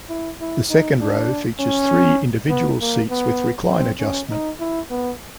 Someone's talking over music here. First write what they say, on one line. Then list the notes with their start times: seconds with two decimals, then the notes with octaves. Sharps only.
The second row features three individual seats with recline adjustment.
0.09 E4
0.40 E4
0.70 D#4
1.00 D4
1.59 C#4
2.49 B3
2.80 A#3
3.10 B3
3.69 C4
4.00 C#4
4.30 D#4
4.59 E4
4.90 B3